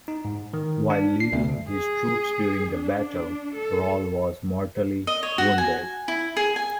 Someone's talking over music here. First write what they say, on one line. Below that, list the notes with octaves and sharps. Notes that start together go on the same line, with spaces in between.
While leading his troops during the battle, Rall was mortally wounded.
D#4
G#2
D#3
D4
C7
D2
G#4
D4
A4
D#5
C#5
F#4
G#5
E4
G#4
G#5